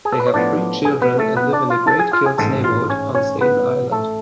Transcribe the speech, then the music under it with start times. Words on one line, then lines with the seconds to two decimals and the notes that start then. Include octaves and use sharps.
They have three children and live in the Great Kills neighborhood on Staten Island.
0.05 G#4
0.12 A4
0.20 B4
0.26 C#5
0.34 A2 F3 B3 D4 D5
0.85 G#4 G#5
1.02 B3 B4
1.19 A3 A4
1.37 B3 B4
1.53 D4 D5
1.70 F4 F5
1.87 A4 A5
1.99 G#4 G#5
2.13 F4 F5
2.26 G#4 G#5
2.38 A1 G#2 G#3 A4 A5
2.64 F4 F5
2.90 C#4 C#5
3.15 C#4 C#5
3.41 B3 B4
3.91 A3 A4